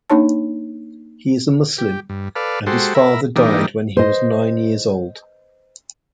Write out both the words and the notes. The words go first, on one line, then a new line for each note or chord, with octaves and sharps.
He is a Muslim, and his father died when he was nine years old.
A#3 D4 D#4 C#5 A5
G4
G2
A4 B4 D5 F5
G#3 F#4 G4 A4 C5
A#4 E5 B5
E3 G3 A#3 D4 D#4
C5 D#5